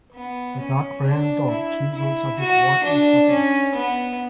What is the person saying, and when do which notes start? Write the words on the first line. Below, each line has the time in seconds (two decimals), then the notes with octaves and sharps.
A dark brown dog chews on something white and fluffy.
0.15 B3
0.60 C#4
1.04 D4
1.50 E4
1.95 E4
2.39 F#4
2.84 D4
3.29 C#4
3.74 B3